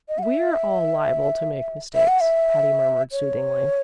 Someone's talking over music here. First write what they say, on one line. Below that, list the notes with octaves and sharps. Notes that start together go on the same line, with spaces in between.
"We're all liable to make mistakes," Patty murmured soothingly.
D#5
F#5
E5
E5
F#5
E5
C#5